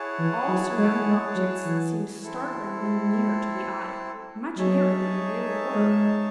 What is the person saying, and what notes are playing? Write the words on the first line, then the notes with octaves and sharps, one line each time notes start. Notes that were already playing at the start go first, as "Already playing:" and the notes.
All surrounding objects seemed startlingly near to the eye; much nearer than they really were.
Already playing: E4 G#4 C#5 F#5 A5
E3
F#3
G#3
G#3
F#3
E3
C4 E4 A4
G#3
F#3 D#4 G#4 C#5 E5 A5
G#3